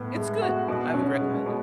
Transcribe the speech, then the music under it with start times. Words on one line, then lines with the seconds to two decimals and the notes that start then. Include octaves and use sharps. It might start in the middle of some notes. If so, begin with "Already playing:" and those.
It's good, I would recommend it.
Already playing: A2 B3
0.16 G#3
0.42 F#4
0.68 B2
0.94 C#4
1.20 G#3
1.46 B2